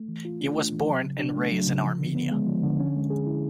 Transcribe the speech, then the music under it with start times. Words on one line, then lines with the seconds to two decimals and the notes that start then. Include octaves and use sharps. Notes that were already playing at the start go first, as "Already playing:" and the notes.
He was born and raised in Armenia.
Already playing: A3
0.08 E3
0.25 F4
0.41 D4
0.56 A3
0.73 E3
0.88 F#3
1.04 C#3
1.19 D4
1.36 A3
1.52 F#3
1.68 C#3
1.83 F3
1.99 D3
2.15 B3
2.32 G#3
2.47 F3
2.63 D3
2.80 C#4
2.96 G#3
3.10 G#4
3.26 E4